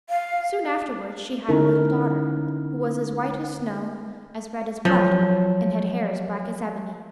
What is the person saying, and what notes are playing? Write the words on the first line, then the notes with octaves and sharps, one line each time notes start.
Soon afterwards she had a little daughter, who was as white as snow, as red as blood, and had hair as black as ebony.
F5
D3 B3 C#4 D#4 E4 A#4
F3 F#3